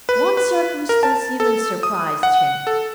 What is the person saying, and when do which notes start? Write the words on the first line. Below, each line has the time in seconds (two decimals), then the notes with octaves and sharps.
One circumstance even surprised him....
0.09 B4
0.37 B4
0.89 A#4
1.03 A5
1.40 A4
1.83 D#6
2.23 F#5
2.67 A4